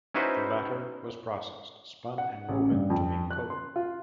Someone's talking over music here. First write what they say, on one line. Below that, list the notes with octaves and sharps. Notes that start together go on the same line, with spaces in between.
The latter was processed, spun and woven to make clothing.
C#4 D#4 E4 F#4 B4 C5
F#5
A1
G2
F2
F#6
C6
F4